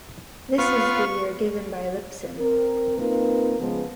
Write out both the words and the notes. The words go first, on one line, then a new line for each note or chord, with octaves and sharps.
This is the year given by Liptzin.
B3 F4 C#6
C4 A#4
A#3 C4 D#4 F4 A#4 B4
C#3 F3 G#3 B3